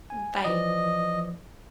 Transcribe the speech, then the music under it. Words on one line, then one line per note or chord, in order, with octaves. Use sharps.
Mm, bye.
G#5
E3 F3 D5 D#5